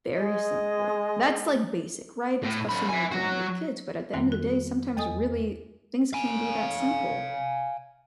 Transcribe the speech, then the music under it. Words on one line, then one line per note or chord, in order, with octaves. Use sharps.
Very simple. That's, like, basic, right, especially when you're dealing with kids, but at the end of the day, sometimes, really, things can be that simple,
G#3 D#5
A2
F#2 B5
E5 G#5
F#3 F#4
F2 D#3 G3 A#3 C4
F#4
E2 A4 D#5 G#5 D#6
F5 G#5